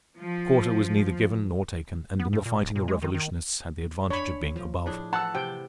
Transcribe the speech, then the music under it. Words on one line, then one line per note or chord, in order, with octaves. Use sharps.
Quarter was neither given nor taken, and in the fighting the revolutionists had the advantage of being above.
F3
B3
G2
A#2
D1
A#2
G#3
D#3
D#3
D4 C#5 B5
F3
A2 D4 G#4
E3 F#5 A5 E6
C3 G5